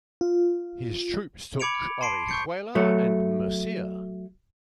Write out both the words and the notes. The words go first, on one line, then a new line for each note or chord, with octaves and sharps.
His troops took Orihuela and Murcia.
F4
B5 D6 G#6 C#7 D7 F7
A5 C6 C7 D7
C#6 G6 C#7
F#3 A3